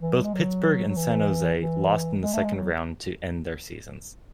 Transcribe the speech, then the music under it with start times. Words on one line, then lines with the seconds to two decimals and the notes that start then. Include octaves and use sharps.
Both Pittsburgh and San Jose lost in the second round to end their seasons.
0.02 E3
0.13 F#3
0.24 G#3
0.34 F#3
0.87 F#3
0.97 E3
1.59 E3
2.23 G#3
2.33 A3
2.43 G#3
2.54 F#3